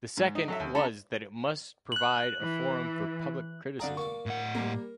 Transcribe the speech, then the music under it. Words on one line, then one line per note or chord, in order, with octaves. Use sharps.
The second was that it must provide a forum for public criticism.
G#2
D#4
F#3 A4 E5
D#2
C#3 A4 A#5 B5
F#6 F#7
E3
D3 G#4 D5 F5 A#5
A#3 D5 C#6
A2 F#5
G3 A#3 A#4